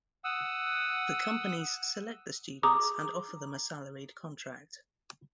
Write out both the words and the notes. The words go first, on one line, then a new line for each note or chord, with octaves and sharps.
The companies select the students and offer them a salaried contract.
F#5 D#6 E6
G#4 A#5 D6 D#6